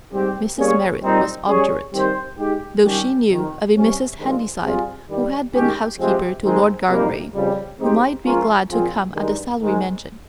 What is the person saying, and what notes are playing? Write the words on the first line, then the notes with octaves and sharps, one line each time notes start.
Mrs. Merrit was obdurate, though she knew of a Mrs. Handyside who had been housekeeper to Lord Gargrave, who might be glad to come at the salary mentioned.
G#2 G3 C4 G4
G3 A#3 C#4 G#4 C#5
A#2 G3 C4 D#4
G3 C#4 G#4 C#5
D#3 G3 C4 G4 C5
G#3 D#4 G4
D#3 G3 C#4 G4
F2 C3 D#3
C3 G3 C#4
G2 D#3 G#3 C4 F4
G3 C4 F4 G#4
G2 D#3 G3
D#3 G#3 C#4 G4
C3 F3 G#3 C4 G4
G#2 D#3 G#3 C4 D#4
F2 C3 G3 A#3 D#4
F2 C#3 G3
G#3 C4 D#4 G4 C5
F3 G#3 C#4 F4 A#4
A#2 F3 C4 F4 G#4
G2 D#3 G#3 D#4
G#2 D#3 G#3